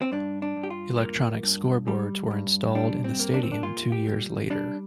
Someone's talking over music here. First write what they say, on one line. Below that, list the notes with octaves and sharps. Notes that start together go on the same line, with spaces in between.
Electronic scoreboards were installed in the stadium two years later.
C4
G2 D4
D4
G2
G4
F4
A#3
G2
G3
G2
G3 D4
C4
A#3
D4
C4
D4
A#2 F4
G4
G3
G3 D4